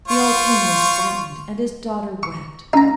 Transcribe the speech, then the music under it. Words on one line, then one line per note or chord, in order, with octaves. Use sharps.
The old King was frightened, and his daughter wept.
F4 C5 C#6
C#6
C#4 D#4 A#5